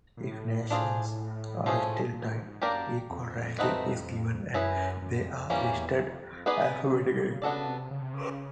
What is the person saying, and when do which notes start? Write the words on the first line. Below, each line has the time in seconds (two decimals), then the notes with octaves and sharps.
If nations are still tied, equal ranking is given and they are listed alphabetically.
0.17 A#2
0.22 A2
0.70 D4 F4 G#4 C5
1.66 F3 A3 C#4 F4 G#4
2.14 A#2
2.38 G#2
2.62 F#2 A#3 D4 G4 A#4 D5
3.10 F2
3.58 A3 C4 D#4 F#4 B4
4.54 F#2 C#4 E4 G#4 B4
5.02 F#2
5.26 F2
5.50 F2 E3 G3 A#3 C#4
5.74 E2
5.92 F#2
5.98 F2
6.22 F2
6.46 B3 D#4 G#4 B4 D5
6.70 C3
6.94 C#3
7.06 B2
7.18 C3
7.31 C#3
7.42 C#3 B3 D4 F#4 A4 D5
7.66 C3
7.91 C#3
8.02 C3
8.13 C#3